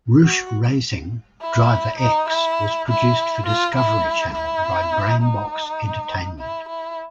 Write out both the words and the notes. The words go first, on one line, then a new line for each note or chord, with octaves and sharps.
"Roush Racing: Driver X" was produced for Discovery Channel by Brainbox Entertainment.
F#4
E4
D#4
E4
E4
F4
E4
E4
D#4
E4
E4